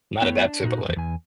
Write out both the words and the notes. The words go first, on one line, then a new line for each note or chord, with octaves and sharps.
Not adapt to, but like
A3 B3 E4 C#5 G5
D4
A#2 D#4 F#4
E2 G2
E2 G#5